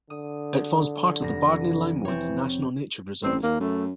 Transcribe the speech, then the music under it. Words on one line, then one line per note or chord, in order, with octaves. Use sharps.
It forms part of the Bardney Limewoods National Nature Reserve.
D3 D#6
F1 A#6
E3 C4 C#5
A1 C4
D#2 A#3
F#2 A3